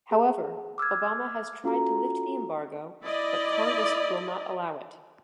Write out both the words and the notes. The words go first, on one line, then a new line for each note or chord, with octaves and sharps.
However, Obama has tried to lift the embargo, but congress will not allow it.
G#4
D6 E6 F6 G#6
C#4 F4 F#4 A4 A#5
E4 D5 D#5